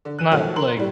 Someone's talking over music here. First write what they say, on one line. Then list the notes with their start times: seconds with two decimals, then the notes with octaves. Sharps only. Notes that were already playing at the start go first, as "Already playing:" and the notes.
not, like
0.05 D3
0.19 F#6 D#7
0.32 B1 D#3 F3 A3 C#5
0.56 A#4 C6 F#7
0.77 A2 G3